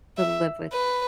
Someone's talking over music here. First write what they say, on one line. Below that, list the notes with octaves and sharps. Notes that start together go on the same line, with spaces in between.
to live with
E5
B4